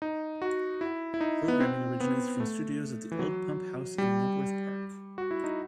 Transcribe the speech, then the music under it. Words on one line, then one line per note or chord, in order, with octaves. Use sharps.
Programming originates from studios at the Old Pump House in Knebworth Park.
D#4
F#4
E4
E4
D#4
B3
C4
B3
A3
E3
F#3
G3
F#4
E4
D#4